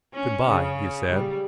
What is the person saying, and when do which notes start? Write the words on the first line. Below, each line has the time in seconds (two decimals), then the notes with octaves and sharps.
"Good-bye," he said.
0.14 C#4
0.49 C#3
1.12 G3